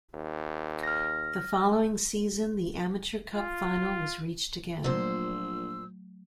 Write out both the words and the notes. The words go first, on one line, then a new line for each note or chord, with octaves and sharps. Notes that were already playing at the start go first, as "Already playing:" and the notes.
The following season the Amateur Cup final was reached again.
D#2
F6 A#6
F4
A#1 A#2 F#3 A3 C5 E6